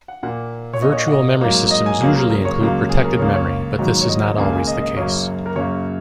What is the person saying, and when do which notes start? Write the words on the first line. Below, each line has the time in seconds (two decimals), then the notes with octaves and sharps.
Virtual memory systems usually include protected memory, but this is not always the case.
0.08 F#5
0.23 A#2 A#3 F#5
0.73 C#5
0.82 A#2 A#3 D#5
0.92 C#5
0.97 D#5
1.08 F#5
1.12 D#5
1.41 G#2 F#3 A#3
1.71 D#5
1.86 G#5
2.01 C#2 C#3 F#3 A#3 G#4
2.16 A#4
2.30 A#4
2.45 C#5
2.60 C#2 C#3 F#3 A#3
2.89 G#4
3.04 A#4
3.19 C#2 C#3 A#3 C#5
3.34 C#5
3.79 G#2 D#3 F#3 A#3
4.01 C#5
4.08 D#5
4.23 D#5
4.38 C#2 C#3 A#3 G#5
4.53 G#5
4.67 D#5
4.82 D#5
4.97 F#2 C#3 F#3 A#3 C#5
5.46 A#4
5.56 F#2 C#3 A#3 C#5